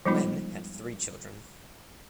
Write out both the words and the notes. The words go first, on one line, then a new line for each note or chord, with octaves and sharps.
Wen had three children.
F3 G3 G#3 B3 D#4 F4